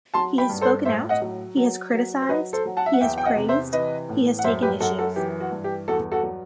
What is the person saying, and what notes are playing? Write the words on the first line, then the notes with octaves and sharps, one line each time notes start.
He has spoken out; he has criticized; he has praised; he has taken issues.
F#3 A5 C6
G5 B5
G2
A4 C5
A2 C5 E5
D#5 F#5
F#3
F#3
F#3
C5
F#3 B4 D#5
A4 C5
F#3
F#5 A5
E5
F#5
E2 E5 G5
G5
D#5 F#5
C3
C5 E5
E3 B4 D#5
A2
F#5
F#2 C5 E5
G4 B4
F#2 F#4 A4
F#4 A4
E3 G4
F#4
G2
G4
E2 F#4 A4
F#4 A4
F#3